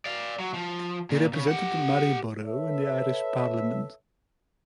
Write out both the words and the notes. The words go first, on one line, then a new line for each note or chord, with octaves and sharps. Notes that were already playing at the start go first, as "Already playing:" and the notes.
He represented Maryborough in the Irish Parliament.
D5 F5
F#3
F3
A#2
C#3
G4 F#5
A4 B4 C#5 E5